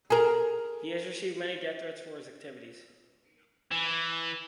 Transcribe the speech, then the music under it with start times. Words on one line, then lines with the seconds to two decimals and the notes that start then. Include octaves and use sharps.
He has received many death threats for his activities.
0.10 G#4 A#4
3.72 E3